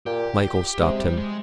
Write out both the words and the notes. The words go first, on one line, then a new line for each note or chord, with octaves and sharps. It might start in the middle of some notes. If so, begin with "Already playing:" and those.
Michael stopped him.
A#2 G4
C3 G#3
G3
G#3